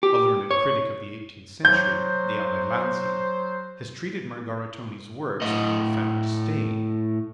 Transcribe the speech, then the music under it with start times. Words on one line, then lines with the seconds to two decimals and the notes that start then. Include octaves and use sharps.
A learned critic of the eighteenth century, the Abbe Lanzi, has treated Margaritone's works with profound disdain.
0.03 G4
0.51 C#5
1.65 F#3 C5 G6
5.42 A2 D#5